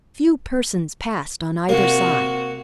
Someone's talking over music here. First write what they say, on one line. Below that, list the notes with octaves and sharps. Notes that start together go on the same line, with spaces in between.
Few persons passed on either side.
C3 A#3 F#4